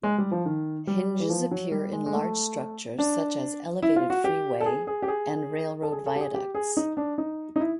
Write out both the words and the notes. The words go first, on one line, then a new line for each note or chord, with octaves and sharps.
Hinges appear in large structures such as elevated freeway and railroad viaducts.
G#3
G3
F3
D#3
G3
E3
F3
F#3
G3
G#3
G#3
A3
D4
E4
F4
F#4
G4
A4
G#4
G#4
G4
G#4
A4
G#4
A4
G4
G#4
G4
G#4
D#4
D4
D#4
D#4
E4